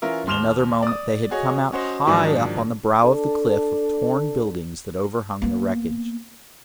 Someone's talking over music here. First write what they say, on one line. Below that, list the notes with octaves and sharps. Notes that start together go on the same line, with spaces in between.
In another moment they had come out high up on the brow of the cliff of torn buildings that overhung the wreckage.
E3 C#4 F4 A#4 E5
D#2 C6 F6 E7 F7 G7
D5 D#6
F#4 G#4 C#5 D#5
C#4 F#4 C5 D#5
G#2 D#3 F3 F#3 D4 D#4
D4 A4
A#3 B3